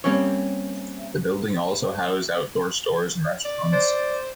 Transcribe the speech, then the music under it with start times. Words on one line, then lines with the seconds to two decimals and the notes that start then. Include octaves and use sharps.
The building also housed outdoor stores and restaurants.
0.04 G3 A#3 C4 C#4 C#5
3.45 D5
3.72 C5 D5